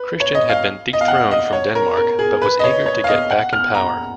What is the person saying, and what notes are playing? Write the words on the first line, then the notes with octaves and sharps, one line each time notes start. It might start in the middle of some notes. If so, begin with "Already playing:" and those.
Christian had been dethroned from Denmark, but was eager to get back in power.
Already playing: B4
C#5
D#5
F5
D#5
F5
F#5
D#5
C#5
A#4
A#4
G#4
B4
D#5
C#5
C#5
F5
D#5
F#5
F6
A#5